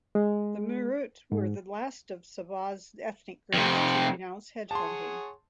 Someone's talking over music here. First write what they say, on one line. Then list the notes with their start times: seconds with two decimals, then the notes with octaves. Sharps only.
The Murut were the last of Sabah's ethnic groups to renounce headhunting.
0.15 G#3
1.32 G#2
3.54 F2 C3
4.71 G#4 C#5 F#5 A5 C6